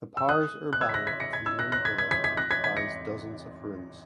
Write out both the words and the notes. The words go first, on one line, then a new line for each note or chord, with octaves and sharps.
The "pars urbana" of the main villa comprised dozens of rooms.
E6
D#6 F#6
F#6
E6 G#6
B6
F#6 A#6
G#6 B6
A#6 C#7
G#6 B6
E6 G#6
F#6 A#6
F#6 A#6
G#6 B6
G#6 B6
G#6 B6
G#6 B6
F#6 A#6
G#6 B6
G#6 B6
A#6 C#7